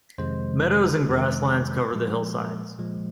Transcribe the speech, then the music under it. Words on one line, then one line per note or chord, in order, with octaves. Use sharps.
Meadows and grasslands cover the hillsides.
F2 C3 D#3 G#3 C5
F2 C3 D#3 G#3
A#2 F3 G#3
A#2 F3 G#3